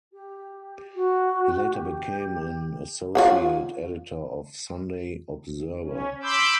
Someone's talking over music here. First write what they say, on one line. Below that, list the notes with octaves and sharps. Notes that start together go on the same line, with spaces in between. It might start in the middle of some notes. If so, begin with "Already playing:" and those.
He later became an associate editor of "Sunday Observer".
G4
F#4
G4
F4 C#5 F#5
C#4
B5 C6 D6 E6 G6